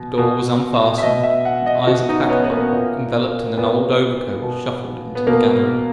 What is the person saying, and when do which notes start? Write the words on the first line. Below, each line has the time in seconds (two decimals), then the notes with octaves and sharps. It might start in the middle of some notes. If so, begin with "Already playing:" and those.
The door was unfastened, and Isaac Hakkabut, enveloped in an old overcoat, shuffled into the gallery.
Already playing: B2
0.18 B2
0.98 E5
1.03 B2 D#5
1.23 E5
1.45 F#5
1.66 D#5
1.87 B2 F#4
2.09 D#4
2.25 C#4
2.30 B3
2.44 B3
2.51 A#3
2.73 A#2
3.57 A#2 B3
4.42 B2
5.15 B3
5.27 B2 A#3